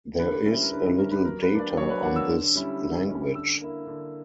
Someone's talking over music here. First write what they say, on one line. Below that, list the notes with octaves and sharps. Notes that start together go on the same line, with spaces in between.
There is little data on this language.
D3 B4
G3 C#4 E4
A#4
D3 B4
G3 C#4 E4 A#4
B4
F#3 A#4
B4
A#3 D4
D5
F#3 C#5
B4
A#3 D4 F#5
E6
D3
G3 C#4 E4
D3
G3 C#4 E4
D3 E6
A#3 E4
D3